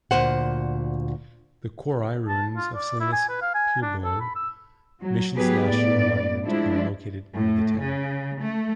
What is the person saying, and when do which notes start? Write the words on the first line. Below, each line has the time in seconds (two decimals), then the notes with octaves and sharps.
The Quarai Ruins of Salinas Pueblo Missions National Monument are located near the town.
0.11 D2 A#2 C5 F#5
2.28 A5
2.57 F4
2.75 D5
3.00 E4
3.13 G#5
3.29 B4
3.42 F5
3.55 G#5
3.82 D4
4.04 A4
4.20 B5
4.36 E6
5.00 F#3
5.34 F#3 B3 G4 G#4 B4
5.65 A2 B3 D5
6.45 F3 G#3 D4 E4
7.34 A2
7.84 C#3
8.41 A3